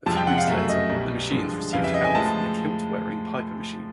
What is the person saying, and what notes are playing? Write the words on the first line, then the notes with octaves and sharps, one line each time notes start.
A few weeks later the Machines received help from the kilt-wearing Piper Machine.
F2 C3 F3 G#3 A5
G5
F#5
F5
F#2 C#3 F#3 A3 E5
E5
D#5
C2 B2 G3
G2 D3 F3 G#3
F2 C#3 E3 G3 F5
E5
D#5
G#5
A2 F3 G#3 A5